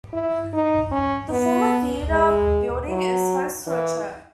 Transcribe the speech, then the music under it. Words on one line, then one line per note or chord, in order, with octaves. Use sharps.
The former theater building is host to a church.
E4
D#4
C#4
B3
G#3
F#3
E3